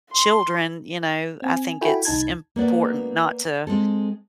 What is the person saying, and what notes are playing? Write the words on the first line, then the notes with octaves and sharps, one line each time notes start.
children, you know, I think it's important not to
C6
C4 G#5
E4 F#4 A4 G5 G#5 B5
C2 D#4 A5 G#6
A#3 B3 D5
G#3 C4 A4